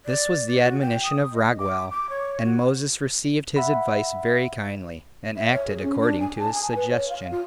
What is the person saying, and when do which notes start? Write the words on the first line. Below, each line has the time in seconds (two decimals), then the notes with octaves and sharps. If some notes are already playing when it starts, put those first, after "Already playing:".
This was the admonition of Raguel; and Moses received his advice very kindly, and acted according to his suggestion.
0.06 D5
0.47 D5
0.63 F#4
0.81 G5
1.04 D#6
1.32 D#5
1.58 D6
1.91 D6
2.10 C#5
2.45 F#4
3.56 E5 F#5 B5
5.36 E5
5.52 C#5
5.67 G#4
5.82 C#4
6.01 D4
6.20 G#5
6.39 A5
6.53 G#5
6.76 B4
6.89 C#5
7.09 F5
7.31 F4